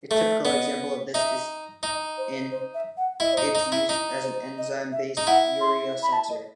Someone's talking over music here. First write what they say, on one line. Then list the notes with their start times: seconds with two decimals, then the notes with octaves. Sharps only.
A typical example of this is in its use as an enzyme-based urea sensor.
0.10 A3 E5
0.45 B3 D#5
1.14 D#4 E5
1.83 D#4 D#5
2.18 C5
2.51 C5
2.74 E5
2.97 F#5
3.20 E4 D#5
3.33 D#4 C5
3.46 D#5
3.55 D#4
3.72 E4
3.89 D#4
4.23 C5
4.58 D#5
4.92 E5
5.17 D#4
5.27 E4 F#5
5.61 C6
6.03 B5
6.13 A5
6.29 D#5